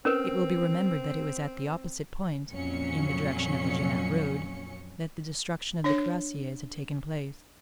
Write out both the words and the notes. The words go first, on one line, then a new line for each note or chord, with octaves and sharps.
It will be remembered that it was at the opposite point, in the direction of the Genappe road, that the destruction of the cuirassiers had taken place.
C4 C#4 A#4 B4
F2 A#2 F#3 C#4 C#7
D4 C#5